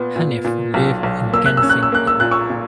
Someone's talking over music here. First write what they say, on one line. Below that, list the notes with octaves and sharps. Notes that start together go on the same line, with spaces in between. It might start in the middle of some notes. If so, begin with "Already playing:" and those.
Hanif lives in Kensington.
Already playing: A#2 B3
A#2
A#2
B1
B1
A#3 E6
F#6
E6
C#4
F#6
E6
A#3 F#6
E6
A#2 F#6
C#6 E6
A#2